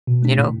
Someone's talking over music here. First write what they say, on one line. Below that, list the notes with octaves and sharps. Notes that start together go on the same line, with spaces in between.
You know?
B2
A3 D4
A2